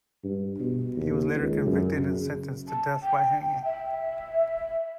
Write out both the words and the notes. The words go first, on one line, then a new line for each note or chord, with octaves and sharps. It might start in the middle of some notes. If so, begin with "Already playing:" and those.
He was later convicted and sentenced to death by hanging.
G2
B2
D#2
C#2
F#2
C#3
A5
G5
E5